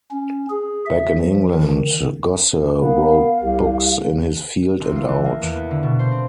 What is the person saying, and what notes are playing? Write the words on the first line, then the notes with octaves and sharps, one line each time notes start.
Back in England, Gosse wrote books in his field and out.
C#4
G#4
E5
F3
D#3
B3 A#4 F5
C2 G4
A1
F4
E3
A#3
E2
B3
D3
B2
C5
C4